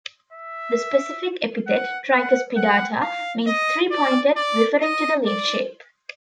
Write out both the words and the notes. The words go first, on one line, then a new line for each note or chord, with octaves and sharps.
The specific epithet "tricuspidata" means three-pointed, referring to the leaf shape.
E5
F#5
F#5
F#5
F5
D#5
D5
D5
D#5
D5